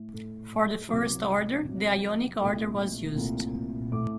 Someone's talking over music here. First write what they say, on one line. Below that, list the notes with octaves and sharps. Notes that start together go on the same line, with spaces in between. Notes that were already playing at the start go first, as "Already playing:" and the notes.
For the first order, the Ionic order was used.
Already playing: A2 A3
A2 A3
C2 C3 F#3 D6
C2 C3 F#3
C2 A#2 A3
C2 A#2 A3
A2 A3 D6